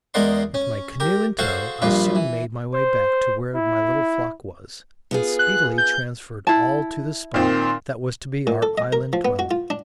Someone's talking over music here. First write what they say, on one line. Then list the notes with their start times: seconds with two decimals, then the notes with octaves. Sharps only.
With my canoe in tow I soon made my way back to where my little flock was, and speedily transferred all to the spot that was to be our island dwelling.
0.14 E2 G#3 A#4 D5 F#5 C6
0.54 C#4
1.00 G4 A#4
1.39 F#4 G#4 A4 C5 F5 F#5
1.82 A#1 G2 A#2 F4 B4
2.15 E3
2.74 C5
3.55 E4
5.11 B3 F4 G#4
5.39 F#6
5.78 G6
6.47 E4 A5
7.34 A#2 D#3 C4
8.47 A#2
8.63 A4
8.78 D#5
8.93 A#4
9.13 F3
9.25 B3
9.39 F#4
9.51 F4
9.70 D4